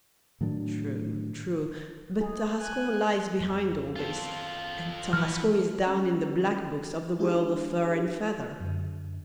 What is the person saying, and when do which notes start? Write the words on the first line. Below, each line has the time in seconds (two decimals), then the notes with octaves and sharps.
True, true; but Tarascon lies behind all this, and Tarascon is down in the black books of the world of fur and feather.
0.41 A2 D#3 F#3 D4
2.21 G#4
2.60 G#5 F#6
3.40 F2 B3
3.96 D#3 B3 C#4 F4 A4
5.13 E3 F3 F#4 B4 F6
5.87 G3 C#4
7.19 G#3 D4 E4 G4 G#4
8.60 F#2 D3